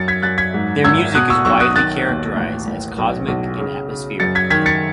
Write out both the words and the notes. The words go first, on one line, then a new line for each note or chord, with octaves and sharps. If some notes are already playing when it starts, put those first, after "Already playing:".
Their music is widely characterized as cosmic and atmospheric.
Already playing: F#2 A6 C#7
G#6 B6
F#2 F#6 A6
G#6 B6
G#2
G#1 E6 G#6
B2 D#6 F#6
C#6 E6
B1 C#6 E6
D#6 F#6
D#3 F#6 A6
D#2
A1
A1
B1
B1
C#3
C#3
F#2 A6 C#7
G#6 B6
D#3 G#6 B6
A6 C#7